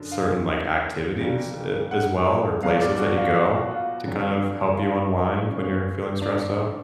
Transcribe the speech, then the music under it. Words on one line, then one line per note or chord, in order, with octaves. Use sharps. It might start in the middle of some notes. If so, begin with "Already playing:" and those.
certain, like, activities a as well or places that you go to kind of help you unwind when you're feeling stressed out?
Already playing: F#2 D3 F#3
F5
F1 F2 C#3
F#5
B1 B2 F#3 F5
D5
F#4
F4
F#4
F4
F1 F2 D3 F#3
F4
G#1 F#2 F3 B3 C#4
D4
D4